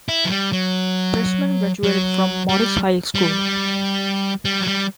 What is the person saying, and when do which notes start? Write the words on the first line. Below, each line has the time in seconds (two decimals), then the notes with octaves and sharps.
Pressman graduated from Morris High School.
0.09 E4
0.25 F#3
0.30 G3
0.52 F#3
1.83 F#3
2.49 G3
3.15 G3
4.45 G3
4.60 F#3
4.67 G3